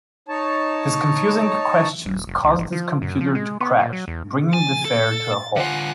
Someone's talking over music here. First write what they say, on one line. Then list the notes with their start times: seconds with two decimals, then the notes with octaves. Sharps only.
His confusing questions cause this computer to crash, bringing the fair to a halt.
0.28 D#4 C#5 A5
2.05 D#1
2.27 F1
2.44 C#2
2.59 G1
2.72 F3
3.02 F#2
3.21 F3
3.35 G#3
3.60 B3
3.79 A#2
3.93 F#3
4.08 E2
4.54 G#5 A6
4.85 A4
5.57 D3 F4 F#5 G#5